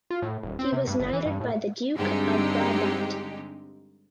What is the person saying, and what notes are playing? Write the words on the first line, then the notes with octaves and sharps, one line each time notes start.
He was knighted by the Duke of Brabant.
F4
A2
D#1
C4
C3
G2
G1
E3
G2
A2
G2 D3 G#3 C4 D#4 G4